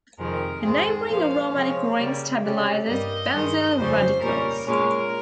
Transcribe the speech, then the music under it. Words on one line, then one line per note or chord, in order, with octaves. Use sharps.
The neighboring aromatic ring stabilizes benzyl radicals.
F2 C3 D#3 G#3 A#4
G#2 D#3 G#3 C4 G#4
A#2 F3 A#3 F5
C3 F3 G#3 C#5
C#3 G3 A#3
C3 G3 C#4
G2 G3 A#3 D#5
G2 D#3 G#3
F2 C#3 G3 C#4 C5
A#2 G3 C#4 A#4
A#2 G#3 C#4 A#4